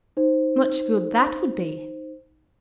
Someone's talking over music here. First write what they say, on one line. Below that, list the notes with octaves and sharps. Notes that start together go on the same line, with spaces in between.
"Much good that would be!"
D#4 C5